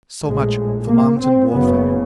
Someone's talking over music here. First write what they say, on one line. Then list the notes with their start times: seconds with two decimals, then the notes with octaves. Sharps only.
So much for mountain warfare.
0.25 A#1 A2 G#3
0.88 A#3
1.20 C4
1.52 F#1 F#2 C#3 B3